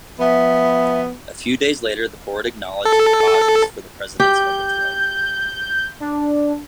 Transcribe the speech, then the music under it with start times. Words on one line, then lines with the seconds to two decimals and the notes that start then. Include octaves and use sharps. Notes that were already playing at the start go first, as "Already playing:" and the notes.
A few days later, the Board acknowledged the causes for the President's overthrow.
0.20 F3 B3 E5
2.85 A4
4.20 G4 G6
6.00 D4